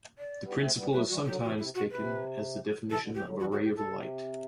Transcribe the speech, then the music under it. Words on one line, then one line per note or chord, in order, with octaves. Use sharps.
This principle is sometimes taken as the definition of a ray of light.
D5
G3 B3
A3 C4
G3 B3
F#3 A3 B4
E3 G3 F#4
D3 F#3 G4
C3 E3 F#4
C3 E4
B2 F#4
C3 B4
C3 E3 A4
B2 D3
C3 E3 G4
D3 F#3
E3 G3 F#4
D3 F#3 F#4
B2 G4
C3 A4
C3